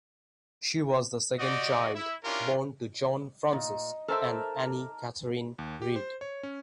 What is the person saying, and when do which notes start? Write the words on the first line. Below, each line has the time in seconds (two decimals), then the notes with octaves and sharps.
She was the second child born to John Francis and Annie Catherine Reid.
1.39 F#4 G4 D5 D#5
1.94 E4 E5
2.24 C#4 D4 E4 F4 G4 A#4
3.53 A#2 D#4
4.08 A4 A#4 C5 E5 A5 D6
5.59 D#2
5.82 G4
5.96 C5
6.21 C#5
6.43 C#4